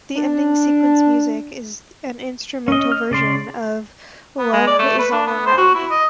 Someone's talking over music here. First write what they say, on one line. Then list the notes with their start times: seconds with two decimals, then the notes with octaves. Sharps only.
The ending sequence music is an instrumental version of "Love is All Around".
0.16 D4
2.68 C#4 D#5
2.92 F6
3.11 C#3 D5 C6
4.39 B3
4.53 G#3
4.67 D5
4.79 A3
4.99 B4
5.12 D4
5.27 B3
5.46 C5
5.58 F#4
5.75 E4
5.91 D#5